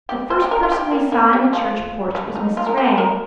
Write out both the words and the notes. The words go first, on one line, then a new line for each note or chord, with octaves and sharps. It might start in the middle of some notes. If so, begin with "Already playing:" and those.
The first person we saw in the church porch was Mrs. Ray.
G4
C5
G4
A#4
F4
G4
A#3
A#3
G3
F3
G3
D#4
F4
A#4
G4
A#4